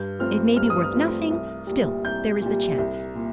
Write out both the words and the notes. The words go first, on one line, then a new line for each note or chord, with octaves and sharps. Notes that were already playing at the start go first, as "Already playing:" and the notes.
It may be worth nothing, still there is the chance.
Already playing: G2 G6
F3 A3 C4 F6
G2 F6
D#6
F6
F3 A3 C4
C2
A#2 G3
C2 G6
A#2 G3
C2
A#2